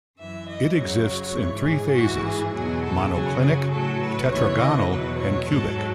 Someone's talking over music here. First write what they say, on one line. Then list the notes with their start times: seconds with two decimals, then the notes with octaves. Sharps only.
It exists in three phases: monoclinic, tetragonal and cubic.
0.18 F#2 E3 E5
0.47 D#5
0.76 F#2 C#3 F#3 C#5
1.35 G#2 E3
1.65 G#4
1.94 G#2 E3 F#4
2.24 G#4
2.53 E2 B2 F#3 G#4
2.82 A4
3.12 F#2 C#3 F#3 G#4
3.41 G#4
3.71 A2 F#3 A4
4.00 B4
4.29 D#2 C#3 E3 C#5
4.59 D#5
4.88 E2 B2 F#3 B4
5.18 C#5
5.47 G#2 F#3 A4